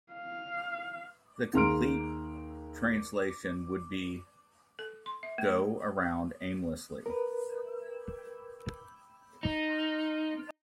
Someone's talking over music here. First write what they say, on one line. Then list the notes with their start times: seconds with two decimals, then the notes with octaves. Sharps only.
The complete translation would be "go - around aimlessly".
0.13 F5
1.53 D#2 G#4 A#5 C6 F6 D7
4.79 A4
5.06 C6
5.23 E5
5.38 A3
7.06 A#4 B4
9.43 D#4